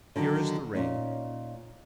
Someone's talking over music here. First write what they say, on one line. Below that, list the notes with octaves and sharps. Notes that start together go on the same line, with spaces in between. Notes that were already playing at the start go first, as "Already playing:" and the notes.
Here is the ring.
D3 D#3 F#3
A#2 C#4 D#4